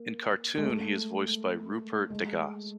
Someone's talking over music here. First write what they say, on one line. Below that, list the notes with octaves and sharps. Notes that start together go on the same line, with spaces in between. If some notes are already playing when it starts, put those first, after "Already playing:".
In cartoon he is voiced by Rupert Degas.
Already playing: A#3
G#3
A3
G#3